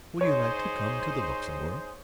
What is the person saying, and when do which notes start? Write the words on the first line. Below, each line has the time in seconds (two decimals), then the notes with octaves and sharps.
"Would you like to come to the Luxembourg?"
0.21 D#4 G#4 C5 C#5